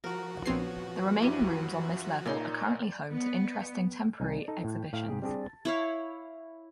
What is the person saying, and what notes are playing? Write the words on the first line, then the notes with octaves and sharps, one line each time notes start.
The remaining rooms on this level are currently home to interesting temporary exhibitions.
F3 F#4 A#4
A#1 B3 C4 C#5 C7
F#2 E4 G4 D#7
A#2 A#3 D#4 C#5 C6
B3
C2 D#4 G#5
D#4 A4
A2
A2 F5
G#2 G#4
G3 C4 D4 G4 G#4
E4 C#5 F5